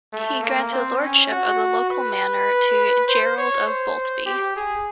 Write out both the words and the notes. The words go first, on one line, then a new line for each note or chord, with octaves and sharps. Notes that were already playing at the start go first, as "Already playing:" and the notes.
He granted Lordship of the local manor to "Gerald of Boltby".
A3
A#3
C4
C#4
F#4
B4
C5
C#5
C5
G4
G#4